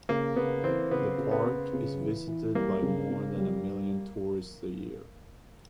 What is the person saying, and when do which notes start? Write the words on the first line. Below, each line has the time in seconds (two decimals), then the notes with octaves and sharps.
The Park is visited by more than a million tourists a year.
0.09 C#3 A#3
0.36 C#3 B3
0.63 E3 C4
0.91 C#3 B3
1.18 C#3
1.31 B3
1.45 C#3
1.73 C#3
2.01 E3
2.27 E3
2.55 G3 A#3
2.82 C#3
3.10 C#3
3.37 G3